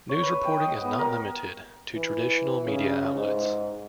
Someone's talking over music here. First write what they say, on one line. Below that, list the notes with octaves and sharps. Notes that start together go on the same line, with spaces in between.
News reporting is not limited to traditional media outlets.
C#5
B4
G5
D#5
B3
A#4
E3
C#3
G#2